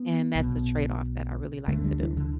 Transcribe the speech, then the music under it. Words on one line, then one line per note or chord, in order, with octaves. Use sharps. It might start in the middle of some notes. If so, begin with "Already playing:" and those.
and that's a trade off that I really like to do.
Already playing: B3
B1 B2
D2 D3 A3
G3
E3
D3